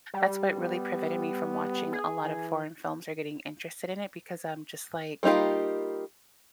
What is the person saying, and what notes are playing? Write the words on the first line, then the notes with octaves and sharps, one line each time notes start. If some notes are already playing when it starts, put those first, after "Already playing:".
That’s what really prevented me from watching a lot of foreign films or getting interested in it because I’m just like,
G3
B3
G#4
E3
G3 A#3 D#4 F4 G4